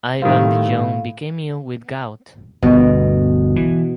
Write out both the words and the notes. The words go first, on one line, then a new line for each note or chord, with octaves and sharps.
Ivan the Young became ill with gout.
A2 D#3 G3 C4 F5
G1 D2 B2
E3